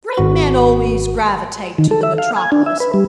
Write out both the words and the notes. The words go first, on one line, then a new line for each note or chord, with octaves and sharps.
Great men always gravitate to the metropolis.
G#1 F#4
D#3
A4
E5
F5
G#5
D4
E5
B4
G3